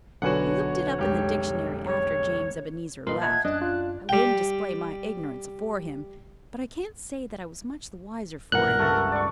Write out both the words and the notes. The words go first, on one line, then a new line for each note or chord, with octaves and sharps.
I looked it up in the dictionary after James Ebenezer left--I wouldn't display my ignorance afore him--but I can't say that I was much the wiser for it.
B1 D3 F#4 B4 C#5 F#5 G#5
F1 G#2 G4
C#5
A#2 A#4 B4 D#5 C6
D#5 E5 F#5 A5 G#6
F#2 D4 D#5 F#6
F4
G3 G5
B1 G2 A#2 A#4 F#5 F#6
C#2 G2 A3 A4
D5 C#6